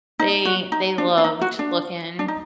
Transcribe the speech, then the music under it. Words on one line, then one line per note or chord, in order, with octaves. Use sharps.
they they loved to looking,
D#4
F#4
D#4
D4
D4
D#4
F#4
D4
D4
D#4